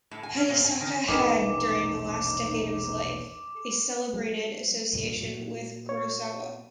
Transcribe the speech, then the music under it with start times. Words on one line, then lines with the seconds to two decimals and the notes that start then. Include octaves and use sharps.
Hayasaka had, during the last decade of his life, a celebrated association with Kurosawa.
0.11 A2
0.23 G#5
0.37 C#4
0.49 A#2
0.64 G#5
0.81 D#3
1.08 E1 A#1 D#3 C#4 D#4 G#4 B4 D6
4.13 F#3 G#3
4.93 D2 G2 A#2
5.20 A#2 F#3
5.89 C#5